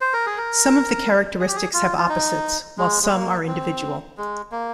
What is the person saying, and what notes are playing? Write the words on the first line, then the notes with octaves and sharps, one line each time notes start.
Some of the characteristics have opposites, while some are individual.
C5
A#4
G#4
A#4
G#4
G4
G#4
F4
F4
D#4
G#3
G#3
A#3
C4
G#3
A#3